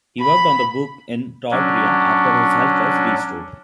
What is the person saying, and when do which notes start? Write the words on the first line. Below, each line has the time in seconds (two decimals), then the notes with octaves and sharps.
He worked on the book in Tautira after his health was restored.
0.22 B5
1.51 F#3 C#4 D4